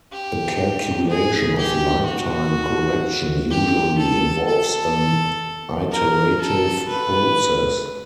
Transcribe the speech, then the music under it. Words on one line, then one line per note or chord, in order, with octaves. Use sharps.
A calculation of light-time correction usually involves an iterative process.
G4
G#4
G4
F#4
G4
A4
A4
A#4
A4
B4